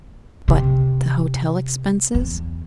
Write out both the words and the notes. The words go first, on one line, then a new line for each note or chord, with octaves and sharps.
"But the hotel expenses?"
C3
E2